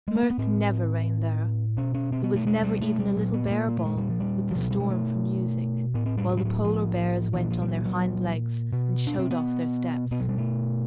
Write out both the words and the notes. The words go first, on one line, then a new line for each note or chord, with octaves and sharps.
Mirth never reigned there; there was never even a little bear-ball, with the storm for music, while the polar bears went on their hind legs and showed off their steps.
G#3
A3
A#3
B3
A2 C4
B2 C#4
C#4
C4
B3
A3
G#3
G3
A3
G3
A#2 F#3
B3
A3
A#3
A#3
A3
G#3
G3
F3
G3
B2 F3
F#3
G3
G#3
A3
A2 B3
C4
G3
F#3
G3
F#3
F3
A#2 E3
F3
G3
F#3
F#3
B2
D4
C4
B3
B2 B3
F#3
G3
A3